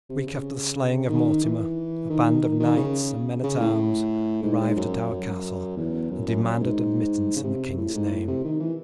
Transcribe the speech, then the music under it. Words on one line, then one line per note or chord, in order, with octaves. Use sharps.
A week after the slaying of Mortimer a band of knights and men-at-arms arrived at our castle and demanded admittance in the king's name.
C3
C#3
D#3
E3
D#3
D#3
D#3
C#3
C#3
A2
G#2
G#2
F#2
F#2
E2
F#2
F#2
F#2
G#2
C#3
C3
A2
G#2
A2
C3
D#3
E3